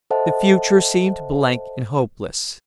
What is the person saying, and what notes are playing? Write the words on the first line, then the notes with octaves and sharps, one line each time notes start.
The future seemed blank and hopeless.
A4 C5 D#5 E5 F#5 A5